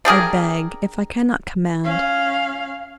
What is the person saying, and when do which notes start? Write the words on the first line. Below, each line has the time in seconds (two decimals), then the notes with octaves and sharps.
I beg--if I cannot command.
0.05 D4 G4 G#4 A#4
1.84 C#4 F5